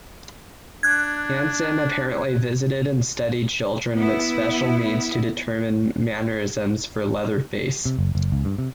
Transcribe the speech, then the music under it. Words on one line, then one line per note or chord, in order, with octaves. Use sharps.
Hansen apparently visited and studied children with special needs to determine mannerisms for Leatherface.
D4 F#6 G#6
B3 E4
C3
F#1
F#1
C#2
G2
C3